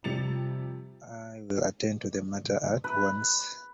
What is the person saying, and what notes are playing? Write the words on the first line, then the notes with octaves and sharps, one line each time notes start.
I will attend to the matter at once.
F2 C3 G3 A6 C#7 F7
B4